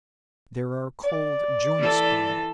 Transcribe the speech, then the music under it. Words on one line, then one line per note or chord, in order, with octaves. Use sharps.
There are cold joints below.
D5
E3 A4